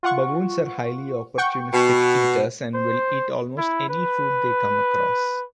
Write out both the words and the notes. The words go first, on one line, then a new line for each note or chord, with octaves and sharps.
Baboons are highly opportunistic eaters and will eat almost any food they come across.
F4 F#5 C#6
F#5 G5 C#6
B2
C5
E4
B4